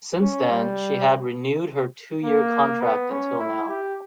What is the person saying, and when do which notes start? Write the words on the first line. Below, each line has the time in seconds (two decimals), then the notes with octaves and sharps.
Since then, she had renewed her two-year contract until now.
0.20 C#4
0.49 G3
2.24 A#3
2.81 B3
3.10 C#4
3.39 E4
3.68 G4